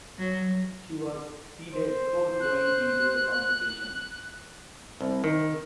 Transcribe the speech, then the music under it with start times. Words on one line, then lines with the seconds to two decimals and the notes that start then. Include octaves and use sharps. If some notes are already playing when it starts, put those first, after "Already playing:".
She was seeded fourth going into the competition.
0.18 F#3
1.74 C5
2.40 F#6
5.01 C2
5.24 D#3